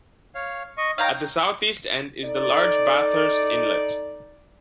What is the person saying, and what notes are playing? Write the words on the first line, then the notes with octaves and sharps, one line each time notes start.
At the southeast end is the large Bathurst Inlet.
C#5 F5
D#5 C#6
D#4 C#5 F5 G5 A#5
D#4 A4 D5